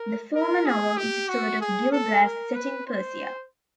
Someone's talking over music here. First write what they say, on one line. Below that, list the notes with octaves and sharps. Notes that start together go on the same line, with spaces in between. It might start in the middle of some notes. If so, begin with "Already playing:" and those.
The former novel is a sort of "Gil Blas" set in Persia.
Already playing: A#4
A#4
G#4
G4
F#4
G#4
A4
A#4
B4
C5